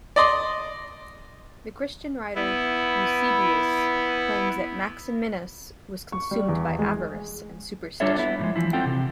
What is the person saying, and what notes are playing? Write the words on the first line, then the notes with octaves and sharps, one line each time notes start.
The Christian writer Eusebius claims that Maximinus was consumed by avarice and superstition.
D5 D#5 C6
B3 E4
C#6
G3
E2
G#3
G3 D4 F4 A4 C#5 E5
B3 E4
A2 F3 G#3
E3 F3 E4
C4 F4 A4 F#5 G5
C3